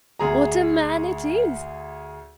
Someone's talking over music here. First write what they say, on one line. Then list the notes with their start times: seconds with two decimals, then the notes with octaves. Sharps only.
What a man it is!
0.19 D2 G#4 A#5